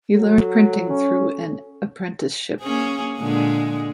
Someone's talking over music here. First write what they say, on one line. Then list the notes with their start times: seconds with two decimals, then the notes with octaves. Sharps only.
He learned printing through an apprenticeship.
0.14 F#3 A4
0.89 C#4
2.61 A#3 C#4 G#4
3.19 A#2 D3 G#3